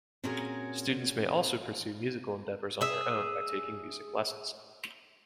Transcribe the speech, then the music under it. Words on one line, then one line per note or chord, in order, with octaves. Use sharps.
Students may also pursue musical endeavors on their own by taking music lessons.
A#2 C4 C#4 F#4 G#4 A#4
G#4 E5